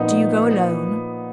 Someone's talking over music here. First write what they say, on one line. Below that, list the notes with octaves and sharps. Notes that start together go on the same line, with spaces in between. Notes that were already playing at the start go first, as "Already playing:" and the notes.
"Do you go alone?"
Already playing: A#2 F3 B3 D#4
A#2 F3